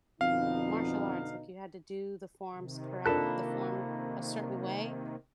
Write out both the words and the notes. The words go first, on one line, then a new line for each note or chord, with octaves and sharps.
martial arts, like, you had to do the forms correct the form a certain way.
F2 B2 D3 D#4 F5
C3 D#3
A#3 D4 F4 A4 A#4 B5 F#6 E7